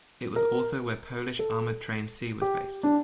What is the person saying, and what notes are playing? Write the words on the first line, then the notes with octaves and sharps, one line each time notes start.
It was also where Polish armoured train C was based.
A#4
A4
G4
D4